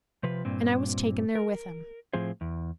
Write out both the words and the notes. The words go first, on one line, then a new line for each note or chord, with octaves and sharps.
And I was taken there with him.
C3 F3 B4
G2 A#2 C4
A#4
A2 F3 C4 G#4 C5
E2